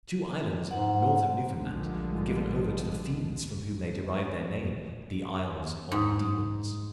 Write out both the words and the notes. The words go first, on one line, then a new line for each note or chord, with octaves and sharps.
Two islands, north of Newfoundland, were given over to the fiends from whom they derived their name, the Isles of Demons.
G#2 F#5
A#1 D3 F3 G3 G#3
G#2